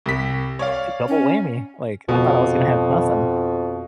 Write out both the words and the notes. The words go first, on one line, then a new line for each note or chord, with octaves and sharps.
double whammy," like, I thought I was gonna have nothing.
C2 B6
C#5 D5 F5
C#4
F2 B2